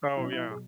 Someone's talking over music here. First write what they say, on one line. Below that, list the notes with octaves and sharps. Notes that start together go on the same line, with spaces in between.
Oh, yeah.
B2 F#3 E4
C#4
E4
G#4